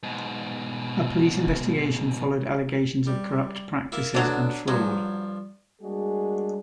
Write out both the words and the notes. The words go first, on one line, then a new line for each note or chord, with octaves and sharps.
A police investigation followed allegations of corrupt practices and fraud.
G#2 B2
G3
A#3 E4
B2 D3 F#3 D4
G2 F3 F#3
G3 G#3 A#3 D4 F#4 G#4